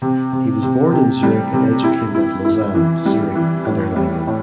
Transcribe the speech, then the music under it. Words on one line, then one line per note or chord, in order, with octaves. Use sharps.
He was born in Zurich and educated at Lausanne, Zurich and Erlangen.
C3
C3
C3
C3
G3
C3
E4
E4
E4
E3
G3
E3
A2
G3
A2